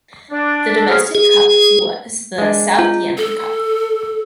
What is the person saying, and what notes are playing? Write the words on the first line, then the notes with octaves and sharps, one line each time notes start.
The domestic cup was the South Yemen Cup.
D4
A4
F#3 G#4 C5 F5
G#4
G#3 D4
F4
A4